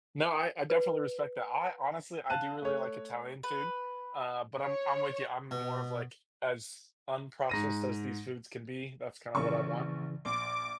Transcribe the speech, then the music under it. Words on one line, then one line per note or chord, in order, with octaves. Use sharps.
No, I I definitely respect that. I honestly, I do really like Italian food, uh, but I'm I'm with ya, I'm more of, like, as unprocessed as these foods can be, that's kind of what I want.
B4
F5 A5 F#6 D#7
A3 C#5
B4
C#5
B2
G#2 A#6 D#7
A#1 C#3 E3 C#6
A#1 C6 D6